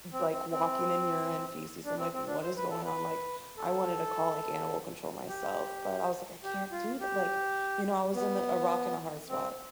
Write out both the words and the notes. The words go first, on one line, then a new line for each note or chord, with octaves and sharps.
like, walking in urine, feces. I'm like, "What is going on?" Like, I wanted to call, like, animal control myself, but I was like, "I can't do th" Like, you know, I was in a a rock and a hard spot.
C4
C4
C4
D4
C4
C4
D4
C5
B4
A4
B4
A4
G4
G4
F4
G4
B3
C4